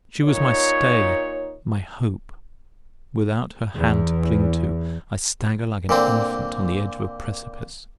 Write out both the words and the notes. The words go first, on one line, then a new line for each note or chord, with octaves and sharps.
She was my stay, my hope: without her hand to cling to, I stagger like an infant on the edge of a precipice.
A#2 D#4 C#5
E2
A#2 D3 C4